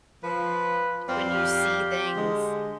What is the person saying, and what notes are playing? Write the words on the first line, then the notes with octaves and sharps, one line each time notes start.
when you see things
F3 B4
F2 C4 D5 F5
G4
D3 G#3